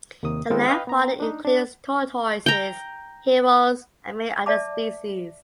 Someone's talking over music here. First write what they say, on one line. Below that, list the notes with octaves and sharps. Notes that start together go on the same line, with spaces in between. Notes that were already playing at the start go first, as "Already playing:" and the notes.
The land fauna includes tortoises, herons and many other species.
D#2 C3 D#3 A#3 D#6
D#3 G#3 B3 C4 F4 A4
B4 D#5 F5 G5
B3 A#5
D4 D#4
D4
G5 A#5
D5 E5 A5 D6